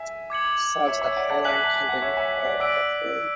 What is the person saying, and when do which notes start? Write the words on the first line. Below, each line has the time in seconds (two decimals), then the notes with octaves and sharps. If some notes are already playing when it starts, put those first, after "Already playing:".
Soils with a high lime content are preferred.
Already playing: E5 G#5
0.30 D6 G#6 C#7 F#7
0.87 C#5 E5
1.01 C#5 E5
1.17 D5 F#5
1.30 F#5 A5
1.45 E5 G#5 F#6 B6 F#7
1.64 A5
1.76 G#5
1.89 F#5
2.02 C#5 E5
2.17 E5 G#5
2.45 D5 F#5
2.60 D5 F#5 E6 B6 D7 F#7